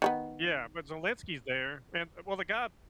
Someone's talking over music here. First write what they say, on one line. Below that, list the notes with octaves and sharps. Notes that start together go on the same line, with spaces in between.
Yeah. But Zelenski's there. And well the guy
D#3 G#3 B3